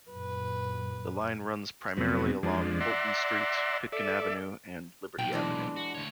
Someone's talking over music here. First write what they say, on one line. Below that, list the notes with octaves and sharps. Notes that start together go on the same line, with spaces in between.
The line runs primarily along Fulton Street, Pitkin Avenue, and Liberty Avenue.
F#2 A#2 B4
F2 C3 F#3 B3
F2 F3 G#3 D4
D5 E5 F#5 A#5 C6
A4 D5 E5
B1 A#2 G5
E3 G#3 D4
F#4
D2 C#5